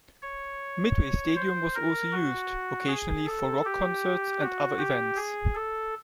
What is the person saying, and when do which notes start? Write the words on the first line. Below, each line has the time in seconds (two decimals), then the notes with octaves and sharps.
Midway Stadium was also used, occasionally, for rock concerts and other events.
0.22 C#5
1.36 C5
1.75 A#4
2.12 F#4
2.88 G#4
3.27 A4
3.65 G4
4.41 F#4
4.78 G4
5.16 G#4
5.55 A4